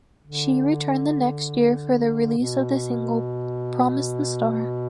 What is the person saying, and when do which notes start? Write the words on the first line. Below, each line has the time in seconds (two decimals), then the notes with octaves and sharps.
She returned the next year for the release of the single "Promise the Star".
0.24 D3
2.38 B2